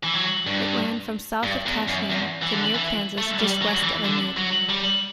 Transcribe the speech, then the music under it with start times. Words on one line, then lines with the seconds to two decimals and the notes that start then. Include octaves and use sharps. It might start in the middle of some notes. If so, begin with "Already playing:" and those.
It ran from south of Cashion to near Kansas just west of Enid.
0.04 E3
0.14 F#3
0.47 G2
1.43 G2
1.66 E2
1.88 F#2
2.10 E2
2.42 E3
2.53 D3
2.74 E3
3.18 A3
3.40 G3
3.62 F#3
3.83 E3
4.05 D3
4.37 F#3
4.70 G3